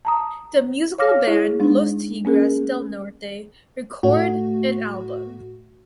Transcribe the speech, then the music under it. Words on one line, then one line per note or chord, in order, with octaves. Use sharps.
The musical band Los Tigres del Norte record an album.
A5 A#5 D#6
C#5 F5 D6 F6 A#6
E4 G#4
G#3 D4 D#4
A#3 C#4 G#4 A#4
A2 A3 F#4